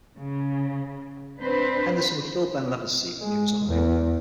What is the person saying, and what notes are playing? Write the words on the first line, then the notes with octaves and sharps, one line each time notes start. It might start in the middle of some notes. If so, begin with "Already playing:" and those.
Henderson would fill Ben Leber's seat when he was unavailable.
C#3
C4 D4 B4 C5
G#3
E2